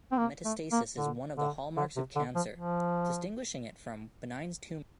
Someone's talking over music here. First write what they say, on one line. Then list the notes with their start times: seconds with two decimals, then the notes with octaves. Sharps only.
Metastasis is one of the hallmarks of cancer, distinguishing it from benign tumors.
0.12 C4
0.18 A#3
0.45 A3
0.72 A#3
0.97 D3
1.37 D3
1.77 D3
1.96 C3
2.16 D3
2.35 F3
2.55 F3